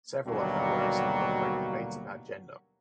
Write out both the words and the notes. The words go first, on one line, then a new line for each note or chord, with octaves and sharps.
Several of her works incorporate debates about gender.
D#2 B2 D3 F#3 G3 A#3